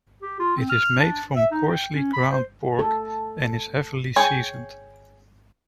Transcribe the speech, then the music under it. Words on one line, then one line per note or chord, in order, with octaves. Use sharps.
It is made from coarsely ground pork and is heavily seasoned.
G4
F4
C4
F6
D4
E5
D#4
G5
C#4
B5
C5
A4
G#4 C#5 G5